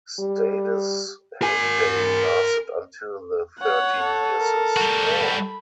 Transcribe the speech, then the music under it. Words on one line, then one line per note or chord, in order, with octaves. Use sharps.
Stade's heyday lasted until the Thirty Years' War.
G3
A#4 G#5
C#5 F#5
A4
A#4
G3 F#4
B5